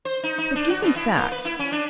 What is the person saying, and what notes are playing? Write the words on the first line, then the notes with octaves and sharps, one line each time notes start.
But give me facts.
C5
D#4
D#4
D4
F#4
B2
E4
A#3
B4
E4
C#4
D4